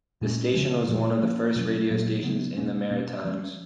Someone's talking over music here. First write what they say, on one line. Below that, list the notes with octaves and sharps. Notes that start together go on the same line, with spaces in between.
The station was one of the first radio stations in the Maritimes.
A#2 G#3 C#4
C#3 F3 G#3
A#2 F3 G#3
F3 A#3 C#4
B2 F#3 C#4
A#2 F#3 A#3
C#3 F#3 B3
B2 A#3 C#4
B2 A#3 C#4
F3 G#3 C#4